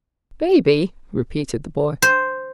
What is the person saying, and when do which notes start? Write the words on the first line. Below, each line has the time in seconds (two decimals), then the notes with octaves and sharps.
"Baby!" repeated the boy.
2.02 C5